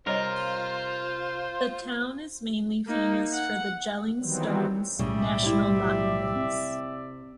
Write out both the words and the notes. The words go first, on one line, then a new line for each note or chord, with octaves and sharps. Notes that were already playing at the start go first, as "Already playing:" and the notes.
The town is mainly famous for the Jelling stones, national monuments.
C3 G3 F4 A#4 C5 C#5 D#5
A#3 D#4
F#5
D#3 E3 F#3 G3 B3 C4
B1 A2 C#3 G3 G4 D5 E5
C3 E4
C4